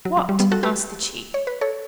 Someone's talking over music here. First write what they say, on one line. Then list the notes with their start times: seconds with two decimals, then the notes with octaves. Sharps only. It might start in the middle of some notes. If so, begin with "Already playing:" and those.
"What?" asked the chief.
0.05 F#3
0.17 F#3
0.29 G3
0.40 G3 B3
0.52 F#4 A4
0.63 G4 B4
1.34 C#5
1.47 B4
1.61 A4 C#5